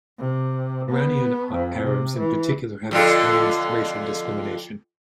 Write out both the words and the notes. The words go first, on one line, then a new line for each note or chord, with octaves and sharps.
Iranian Arabs in particular have experienced racial discrimination.
C3
B3
F2
C3
E3
F2 D3 F4